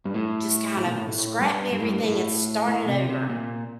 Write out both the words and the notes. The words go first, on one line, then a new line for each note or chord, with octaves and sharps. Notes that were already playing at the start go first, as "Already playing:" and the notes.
just kind of scrapped everything and started over,
G2
A2
A2
A#2
A2
A2
G2
G2
A2
G2
A2
A2
C3
C3
A#2